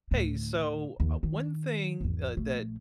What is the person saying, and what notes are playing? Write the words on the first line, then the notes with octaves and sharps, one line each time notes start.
Hey, so, uh, one thing, uh, that
D2 A2
D#2
D#3
G#1 E2
A#1 A3